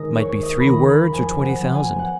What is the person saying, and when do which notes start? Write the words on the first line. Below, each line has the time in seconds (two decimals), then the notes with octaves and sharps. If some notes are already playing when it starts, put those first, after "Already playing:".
It might be three words or twenty thousand.
Already playing: D#3 G#3 D#5
0.19 D#2 C#5
0.43 D#5
0.60 B5
0.66 D#3 G#3 A#5
0.89 B5
1.13 F2 G#5
1.44 F#5
1.60 F3 B3
1.75 G#5
1.99 F#5